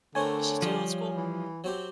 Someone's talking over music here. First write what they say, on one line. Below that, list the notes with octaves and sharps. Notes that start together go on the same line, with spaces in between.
Is she too old school?
D3 A3 C4 A#4 C#5 G#5
C#3 F3 G3
E3
F#3 C4 G4